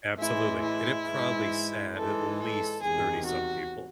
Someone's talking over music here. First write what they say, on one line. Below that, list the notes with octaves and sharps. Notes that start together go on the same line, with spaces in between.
Absolutely, and it probably sat, at least, thirty-some people,
A2 E3 G#3 E4
E4
G#2 E3 G#3
G#2 E3 G#3 A4
A4
E2 C3 D#3 G#4
F#4